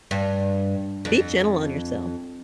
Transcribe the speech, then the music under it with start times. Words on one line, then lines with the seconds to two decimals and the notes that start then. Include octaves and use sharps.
be gentle on yourself.
0.11 G2
1.05 F2